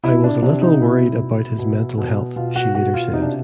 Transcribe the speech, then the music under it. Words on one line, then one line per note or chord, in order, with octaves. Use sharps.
"I was a little worried about his mental health," she later said.
C3 E4
D4
C3 D4
D#4
B2 E4
B2
B2
B2
B2 F4
F#4
B2 F#4
F4
C3 D#4
D4